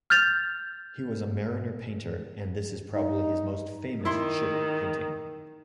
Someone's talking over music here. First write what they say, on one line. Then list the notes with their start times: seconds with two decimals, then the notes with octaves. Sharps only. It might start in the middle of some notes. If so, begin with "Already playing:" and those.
He was a mariner painter, and this is probably his most famous ship painting.
0.10 F6 G6 A6 F7
2.95 D#4
4.05 D#3 E4 C6